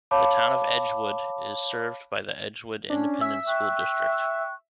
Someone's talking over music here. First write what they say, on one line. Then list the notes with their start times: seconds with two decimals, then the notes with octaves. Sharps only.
The Town of Edgewood is served by the Edgewood Independent School District.
0.11 C#5 F5 A5 B5 D6
2.90 C#4 D4
3.21 E5
3.47 G5 C#6 F#6